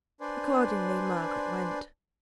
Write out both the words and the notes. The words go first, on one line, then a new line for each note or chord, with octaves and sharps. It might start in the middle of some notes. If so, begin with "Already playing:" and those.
Accordingly Margaret went.
D4 B4 C5 D5 G#5 C6